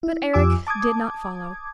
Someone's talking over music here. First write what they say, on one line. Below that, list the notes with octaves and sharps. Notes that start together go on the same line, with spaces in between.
But Eric did not follow.
E4
F2 F4 G4 G#5 D6 E6
A5 D6 D#6 G#6